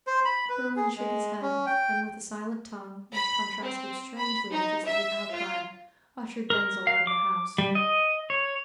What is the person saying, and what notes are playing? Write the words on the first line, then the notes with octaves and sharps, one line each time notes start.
Berwin shook his head, and with a silent tongue, which contrasted strangely with his late outcry, ushered Denzil out of the house.
C5
B5
B4
G#4
G#3
C#4
G5
B5
C4
B5
D#4
E5
F4
A#4
F5
D6
G3
D#5
C#5